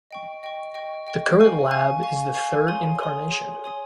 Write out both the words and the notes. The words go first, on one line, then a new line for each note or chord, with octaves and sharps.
The current lab is the third incarnation.
D#5 G5 C#6
D#5 G5 C#6
D#5 G5 C#6
D#5 G5 C#6
F5 G#5 C#6
F5 G#5 C#6
F5 G#5 C#6
F5 G#5 C#6
G#4 C#5 G#5 C6 D#6
G#4 C#5 G#5 C6 D#6
G#4 C#5 G#5 C6 D#6
G#4 C#5 G#5 C6 D#6